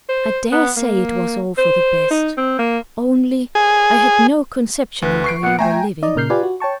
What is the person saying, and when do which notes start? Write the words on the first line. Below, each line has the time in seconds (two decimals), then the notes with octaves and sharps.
I dare say it was all for the best, only I had no conception of how you were living.
0.09 C5
0.52 B3
0.77 A#3
1.58 C5
2.11 D#4
2.37 C4
2.59 A#3
3.55 G#4
5.02 D2 B4
5.24 C#6 C7 D7
5.43 A#2 B3 F#5
5.59 A3 G5 G#5 A#5
6.02 D#4 D5 D#5
6.16 A#2 C#3 A#4 F6 G6 C7
6.30 F4 G4 B4 D5 G#5
6.43 F#4
6.60 C#5 G5 A5 C#6